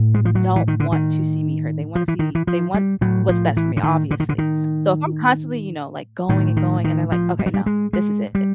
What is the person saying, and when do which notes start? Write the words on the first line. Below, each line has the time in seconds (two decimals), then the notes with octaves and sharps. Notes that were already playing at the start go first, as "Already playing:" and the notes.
don't want to see me hurt. They wanna see they want what's best for me, obviously. So, if I'm constantly, you know, like, going and going and they're, like, "Okay, no, this is it it."
Already playing: A2
0.15 G#3
0.25 F3
0.35 F#3
0.56 E3
0.68 D#3
0.80 D3
0.92 D#3
1.95 F3
2.08 E3
2.19 D#3
2.35 E3
2.47 F3
2.74 G3
3.01 A2 F#3
3.29 F3
3.57 E3
3.77 D3
3.83 D#3
4.11 D3
4.20 D#3
4.29 D3
4.38 D#3
6.29 A2 D#3
6.57 D#3
6.84 D#3
7.12 F3
7.39 G3
7.46 F#3
7.54 G3
7.66 G#3
7.93 G#3
8.35 G3